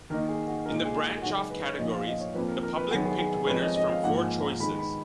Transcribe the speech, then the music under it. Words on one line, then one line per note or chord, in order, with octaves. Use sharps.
In the branch-off categories, the public picked winners from four choices.
D#3 A#3 D#4 A#4
G#4
F#4
A#2 G#3 D#4 A#4
G#4
G#4
F#2 C#3 G#3 D#4 F#4
G#4
B4
C#5
A#2 F3 B3 D#4 D#5
F5
D#5
C#5
F2 F3 A#3 B4
A#4
A#4
B4
F#2 D#3 F#3 B3 G#4
G#4
G#4
G#4
F2 F3 G#3 C#4 B4
D#5
D#5
F5
G#2 F3 A#3 F#5
G#5
A#5
D#3 G#3 B3 B5
B5